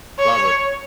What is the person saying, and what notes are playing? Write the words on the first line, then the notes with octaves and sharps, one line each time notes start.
Love it.
C#5